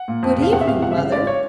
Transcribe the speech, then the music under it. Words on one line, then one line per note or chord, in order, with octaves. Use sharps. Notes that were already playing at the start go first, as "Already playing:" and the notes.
'Good evening, mother.
Already playing: F#5
A#2
F2
C3 F5
E2 F#5
E5
C3 F5
C#2 F#5
E5
C#3 F5
G#1 D5
C#5